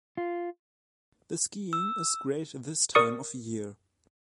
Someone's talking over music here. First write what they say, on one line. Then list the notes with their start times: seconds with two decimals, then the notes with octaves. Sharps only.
The skiing is great this time of year.
0.17 F4
1.73 E6
2.95 A#4 D5 C#6 D#6 C#7